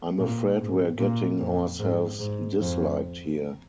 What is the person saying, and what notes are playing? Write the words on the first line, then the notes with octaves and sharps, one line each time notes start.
I'm afraid we're getting ourselves disliked here.
A#2
G#2
A#2
F2
G#2
G#2
F2